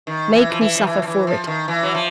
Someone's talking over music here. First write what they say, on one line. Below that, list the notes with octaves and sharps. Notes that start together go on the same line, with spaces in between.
Make me suffer for it.
D#3
E3
F3
E3
F3
E3
F3
E3
F3
D#3
E3
F#3
F3